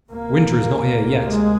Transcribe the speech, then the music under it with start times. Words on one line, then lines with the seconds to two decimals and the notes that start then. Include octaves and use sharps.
'Winter is not here yet.
0.10 D2 C3 A#3
1.23 G#3